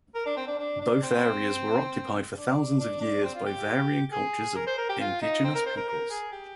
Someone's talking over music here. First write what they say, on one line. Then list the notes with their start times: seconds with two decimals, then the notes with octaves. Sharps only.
Both areas were occupied for thousands of years by varying cultures of indigenous peoples.
0.15 A#4
0.26 D4
0.37 C4
0.47 D4
0.59 D4
0.81 D4
1.03 C4
2.35 D4
2.79 D4
3.01 D4
3.23 C4
3.35 F4
3.45 G4
4.11 G#4
4.56 A#4
4.67 C5
4.78 A#4
4.89 G4
5.00 F4
5.22 D#4
5.44 C4
5.55 A#4
5.66 C5
5.77 A#4
5.88 A#4
6.10 G#4
6.32 G4